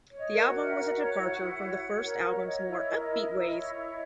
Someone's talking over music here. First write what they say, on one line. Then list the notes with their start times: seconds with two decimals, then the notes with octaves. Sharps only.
The album was a departure from the first album's more upbeat ways.
0.11 C#5
0.18 D#5
0.32 A#4
0.46 F#4 F#5
0.54 A#4
0.64 E5
0.75 F#4 A#4 F#5
0.96 C#5
1.17 E4
1.39 E4
1.60 C#5
1.82 C#5
2.03 A#4
2.25 C#5 F#5
2.37 E5
2.46 C#5 D#5
2.67 E4
2.89 A#4
3.10 E4
3.32 E4
3.52 C#5
3.73 E4